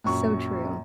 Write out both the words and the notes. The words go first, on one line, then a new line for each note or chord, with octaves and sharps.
So true.
A#1 F#2 C#6